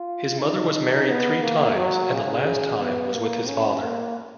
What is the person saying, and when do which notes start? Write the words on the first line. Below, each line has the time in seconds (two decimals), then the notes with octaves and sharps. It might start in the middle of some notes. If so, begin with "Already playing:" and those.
His mother was married three times and the last time was with his father.
Already playing: F4
0.40 D#4
1.08 B3
1.42 A#3
1.76 F#3
2.11 C#3
2.45 C#3
2.79 B3
3.13 A#3
3.48 C#4
3.82 A#3